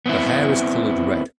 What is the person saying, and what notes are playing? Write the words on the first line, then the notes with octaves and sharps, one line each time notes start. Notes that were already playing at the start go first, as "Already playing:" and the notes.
Her hair is colored red.
B3 C4 E4